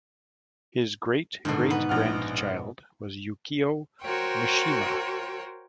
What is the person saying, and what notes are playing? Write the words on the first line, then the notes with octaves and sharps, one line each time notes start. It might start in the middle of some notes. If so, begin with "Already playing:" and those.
His great-great-grandchild was Yukio Mishima.
G#2 B2 D3 D#3
B3
A#1 F#5 F6
F#4 A#4 C5 C#5 G5 C6